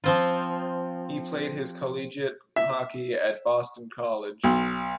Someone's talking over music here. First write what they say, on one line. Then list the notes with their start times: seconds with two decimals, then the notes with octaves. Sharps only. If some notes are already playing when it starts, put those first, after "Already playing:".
He played his collegiate hockey at Boston College.
0.04 F3 C4 F4
2.56 E5
4.44 B1